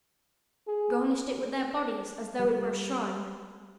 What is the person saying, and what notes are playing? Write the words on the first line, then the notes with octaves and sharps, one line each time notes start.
Garnished it with their bodies as though it were a shrine.
G#4
G3